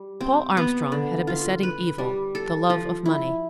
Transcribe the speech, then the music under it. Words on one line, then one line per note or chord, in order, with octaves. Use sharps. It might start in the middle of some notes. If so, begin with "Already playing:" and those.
Paul Armstrong had a besetting evil--the love of money.
Already playing: G3
C4
B3
D3
F4
B4
G3
A4
F3
E4